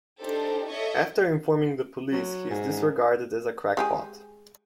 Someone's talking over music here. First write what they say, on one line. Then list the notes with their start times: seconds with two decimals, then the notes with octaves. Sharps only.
After informing the police, he is disregarded as a crackpot.
0.19 D4 D#4 G4 A4 C5
0.66 A4 C#5 D#5 E5 C#6
2.13 F#3
2.50 G#2
3.77 G#3 G4 G#4